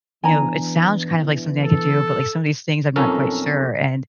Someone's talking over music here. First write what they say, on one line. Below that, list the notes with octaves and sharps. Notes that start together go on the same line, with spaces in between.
you know, it sounds, kind of like, something I could do, but, like, some of these things I'm not quite sure, and
E3 B3 D4 G#5 A#5
A4
B1 F2 C#4 A4 A#4